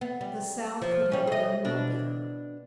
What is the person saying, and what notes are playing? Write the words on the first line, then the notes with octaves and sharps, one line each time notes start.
The South could have done no better.
B3
G3
F3
G3 C#4
G#4 D#5
B2 D4